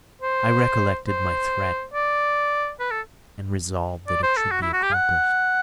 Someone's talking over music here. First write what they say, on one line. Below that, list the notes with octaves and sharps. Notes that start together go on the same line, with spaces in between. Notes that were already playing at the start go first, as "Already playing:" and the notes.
I recollected my threat and resolved that it should be accomplished.
C5
C5
D5
B4
A4
D5
C5
A4
F#4
E4
F#4
G4
F#5